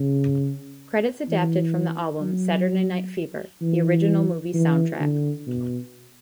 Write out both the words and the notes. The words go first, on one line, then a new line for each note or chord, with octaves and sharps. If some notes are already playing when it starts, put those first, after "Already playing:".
Credits adapted from the album "Saturday Night Fever: The Original Movie Sound Track".
Already playing: C#3
E3
F#3
E3
E3
D3
B2